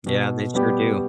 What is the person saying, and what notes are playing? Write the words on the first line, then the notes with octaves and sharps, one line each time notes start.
Yeah, they sure do.
B2
G3 B3 G4